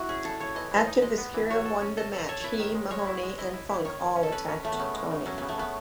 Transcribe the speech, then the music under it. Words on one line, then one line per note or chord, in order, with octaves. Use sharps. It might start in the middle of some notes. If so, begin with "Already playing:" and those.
After Viscera won the match, he, Mahoney, and Funk all attacked Tony.
Already playing: E4 F#4
C#4 G#4
C#3 A4
C#3 C#5
E3 D#5
E3
D#5
D#4
G#3 D#5
B3
E3
F#4 C#5
A4
C#4
A4 D#5
A4
A4 C#5
E4 B4 C#5
D#3
G#3
G#3 C#5
E4
G#3
E4 D#5
E4
E4
D#3 C#5
D#3
C#4
A4
C#4 B4
C#4
C#3 A3
B3
C#3 C#4
G#3
C#3
F#3 C#4
C#3 B3
A3
C#3 B3